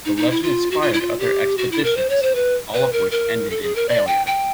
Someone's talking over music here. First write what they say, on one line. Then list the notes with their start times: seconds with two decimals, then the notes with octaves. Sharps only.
The legend inspired other expeditions, all of which ended in failure.
0.05 D#4
0.17 D#4
0.31 E4
0.43 F4
0.71 F#4
0.81 F4
0.93 E4
1.01 F4
1.20 G4
1.58 F#4
1.72 E4
1.84 A#4
1.97 C5
2.09 C#5
2.22 C5
2.35 B4
2.74 B4
2.93 A#4
3.11 A#4
3.50 A4
3.62 G#4
3.76 A#4
3.89 D5
4.07 G5
4.27 G5